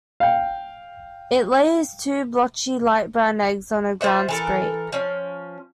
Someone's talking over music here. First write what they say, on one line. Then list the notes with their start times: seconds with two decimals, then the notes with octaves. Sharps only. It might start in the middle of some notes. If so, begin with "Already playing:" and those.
It lays two blotchy light brown eggs on a ground scrape.
0.20 F5 G5
4.01 F4 C5 E5 F#5
4.28 E3 A4 A#4
4.92 F3 C#4